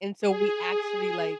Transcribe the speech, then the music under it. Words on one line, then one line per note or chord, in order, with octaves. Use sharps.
And so, we actually, like
G#4